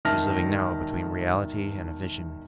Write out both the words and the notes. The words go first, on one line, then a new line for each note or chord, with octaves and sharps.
She was living now between reality and a vision.
E1 D#3 E5 A5 F6 A#6